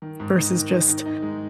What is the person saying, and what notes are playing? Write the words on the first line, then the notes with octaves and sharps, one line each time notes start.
versus just,
D#3
G#2
D#4
D#3
D#4
D#3
D#4
G#3